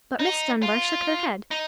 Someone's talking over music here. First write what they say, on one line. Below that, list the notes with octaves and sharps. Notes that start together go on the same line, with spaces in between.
But Miss Dunbar shook her head.
D#4
F4
D#4